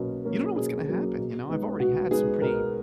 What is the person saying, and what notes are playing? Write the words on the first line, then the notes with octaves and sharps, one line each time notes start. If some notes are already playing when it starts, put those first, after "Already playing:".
you don't know what's gonna happen, you know?" I've already had some pretty
Already playing: B2 F#3 A#3 C#4
F#3 A#3 C#4
B2 G#4
F#3 A#3 C#4
B2
G#3 B3 D#4
B2 F#4
G#3 B3 D#4 G#4
B2 A#4